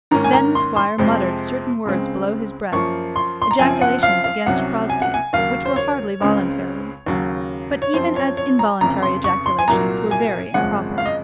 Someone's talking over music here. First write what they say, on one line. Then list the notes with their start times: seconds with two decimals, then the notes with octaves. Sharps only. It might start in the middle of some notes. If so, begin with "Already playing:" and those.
Then the squire muttered certain words below his breath,--ejaculations against Crosbie, which were hardly voluntary; but even as involuntary ejaculations were very improper.
0.11 G#2 D#3 A#3 C#4 A#5
0.24 G#5
0.33 A#5
0.55 C6
0.76 C6
0.98 F2 C3 F3 G#3 C4
1.85 C#2 C#3 G#3 C4
2.72 F#2 F3 A#3 C#6
3.16 C6
3.42 C6
3.51 A#5
3.59 F#1 F#2 F3 C4 G#5
3.81 F#5
4.03 F5
4.24 F5
4.46 C2 C3 F#3 C#4 F#5
4.90 G#5
5.02 F#5
5.14 G#5
5.33 D#2 C#3 F#3 A#3 F5
5.66 C5
5.76 C#5
6.20 C#2 C#3 G#3 C4
7.06 D#2 C#3 F#3
7.82 C#5
7.94 F#2 F3 C4 C5
8.16 C#5
8.37 C#5
8.59 A#5
8.81 F1 F2 C#3 A#5
9.03 C6
9.24 C#6
9.46 C6
9.59 G#5
9.68 C2 A#2 F#3 A#3 A#5
10.11 G#5
10.54 G#1 F#2 C#3 F3 G#3 F#5
10.98 F5
11.06 D#5